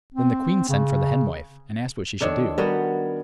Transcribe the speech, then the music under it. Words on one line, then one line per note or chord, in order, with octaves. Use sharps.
Then the queen sent for the Hen-Wife, and asked what she should do.
C4
C#3
D#3 D4 A4 C#5 G#6 C#7
G3 B3 F#4 A#4 F#5 G#6